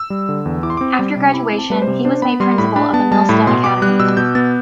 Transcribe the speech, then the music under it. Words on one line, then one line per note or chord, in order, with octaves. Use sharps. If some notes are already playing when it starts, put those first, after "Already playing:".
After graduation, he was made Principal of the Millstone Academy.
Already playing: E6
G3
D3
E2
E4 D6
C6
C4 D6
G3
C3
E4 B5
C4
A5
G3 B4
C5
C3
D4 C5
B3 B5
G3 C6
A2 B5
D4 B5
B3 A5
G3 A5
A2 B5
B2 C6
B3 D6
G3 F#6
B2 E6
B2 G6
B3 A6